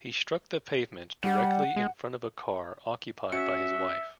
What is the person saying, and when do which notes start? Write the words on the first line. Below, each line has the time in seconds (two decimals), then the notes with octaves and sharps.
He struck the pavement directly in front of a car occupied by his wife.
1.24 G3 F#5
1.76 G#3
3.32 C#4 F#4 E5 C#7